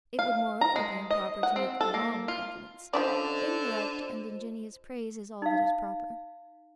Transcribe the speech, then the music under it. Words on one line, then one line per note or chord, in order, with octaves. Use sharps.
It would moreover be improper to make long compliments; indirect, and ingenious praise, is all that is proper.
F5
A#5
G#3
D#5
F#5
C4
A4
A#3
F4
D3 F3 C#4 D4 F4 C5 D5 D#5
D#4 F5